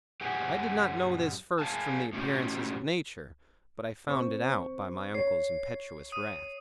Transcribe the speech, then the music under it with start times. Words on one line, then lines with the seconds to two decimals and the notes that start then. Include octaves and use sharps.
I did not know this first from the appearances of nature, but I found it out by my uncle's impetuous wrath.
0.21 F#2 G4 G#4 F#5 G#5
1.59 G#4 F5 G#5 A5
2.13 A2 C#4 F#4 G4
4.08 C4 C#6
5.15 C#5 C7
6.12 D#6 D#7